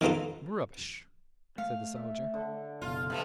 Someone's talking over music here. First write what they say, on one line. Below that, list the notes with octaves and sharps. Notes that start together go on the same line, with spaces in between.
"Rubbish!" said the soldier.
D#3 B3 D#4 F4 A4
A3 F5
E5
D3
F#1 B2 F4
G2 F3 A3 E5